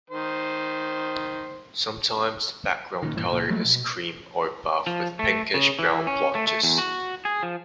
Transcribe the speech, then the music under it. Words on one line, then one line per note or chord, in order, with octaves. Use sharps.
Sometimes the background colour is cream or buff with pinkish-brown blotches.
D#3 C5
A#2 D3 D#3
G2 A#2 E3
C#2 A#2
F3 F#3 A3 A#3
B2
F3
A3
C#3
E3
C#4
A3
A3
E2
F#4
G#4
F3